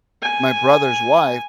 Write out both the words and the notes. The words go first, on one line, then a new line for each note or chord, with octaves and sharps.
my brother's wife,
G#5